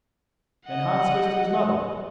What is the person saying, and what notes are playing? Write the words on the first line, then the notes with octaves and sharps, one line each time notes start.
Then Hans goes to his mother.
D#5 F#5